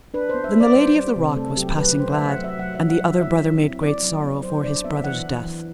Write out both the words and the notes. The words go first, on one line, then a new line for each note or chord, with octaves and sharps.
Then the Lady of the Rock was passing glad, and the other brother made great sorrow for his brother's death.
D4 B4
B3 C5
E5
B3
D5
G3 C5
G3
C3
A3 A4
F#3 G4
F#3 B4
F#3 C5
E5
A3
F#5
F#3
E5
F#3 F#5
E4 E5
F#5
F#3
E5
E4 E5
E4
C4
B3 D5
F#3
B3
F#3 C5
D4 D5
B3 E5
E3 F#5
E3
E3